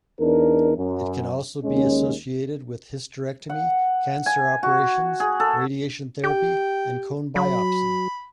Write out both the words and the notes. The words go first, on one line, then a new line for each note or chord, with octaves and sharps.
It can also be associated with hysterectomy, cancer operations, radiation therapy and cone biopsy.
E2 D4 D#4 A#4
F#2
D#2 G#3 C#4
F#5
G#5
F#4
G#4
A4
G4 G5
F#3 B5